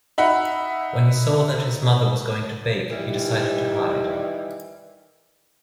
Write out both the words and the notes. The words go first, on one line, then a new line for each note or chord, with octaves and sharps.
When he saw that his mother was going to bake, he decided to hide.
D#4 E5 F#5 B5
D#3 E3 G3